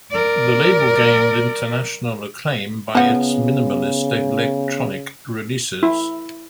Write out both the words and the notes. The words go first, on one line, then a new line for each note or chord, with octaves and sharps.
The label gained international acclaim by its minimalist electronic releases.
A#4 D5
C#3 F3 B3 F#5
E4